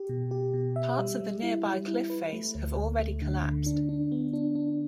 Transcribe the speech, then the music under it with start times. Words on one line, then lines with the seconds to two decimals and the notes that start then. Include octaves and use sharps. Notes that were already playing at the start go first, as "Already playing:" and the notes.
Parts of the nearby cliff face have already collapsed.
Already playing: G4
0.09 B2
0.31 G4
0.54 B2
0.76 E5
0.99 G3
1.21 G3
1.43 E4
1.66 G3
1.87 E4
2.10 B4
2.33 A3
2.55 D2
2.77 D2
3.00 A3
3.22 D3
3.45 D3
3.66 D4
3.89 D4
4.12 B3
4.33 D4
4.55 D4